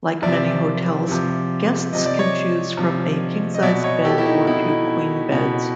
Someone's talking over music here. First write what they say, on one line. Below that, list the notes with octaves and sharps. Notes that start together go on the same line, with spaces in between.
Like many hotels, guests can choose from a king-sized bed or two queen beds.
C3 F3 D5 E5
C3 F3
C3 F3 D#5
D5
C#5 D#5
C3 F3
D#5
B2 D5 E5
C#5 D#5
G4 A4
E4
D#4
B2 E4
B2